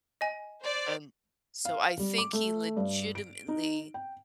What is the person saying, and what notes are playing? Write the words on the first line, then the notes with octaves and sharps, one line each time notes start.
And so I think he legitimately
D#5 G#5
C5 D5
F5
G3
D6
A3
G2
D7
D#4
G5